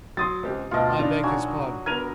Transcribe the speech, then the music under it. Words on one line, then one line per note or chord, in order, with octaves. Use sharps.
I beg his pardon.
F#3 C6 D#6 A6
C#2 C4 G4
D2 B2 F4 D#5 A5
E1 D4 D#4 F7
F#3 F#4 G#5
D3 B3 A#4 G#6 D#7 F7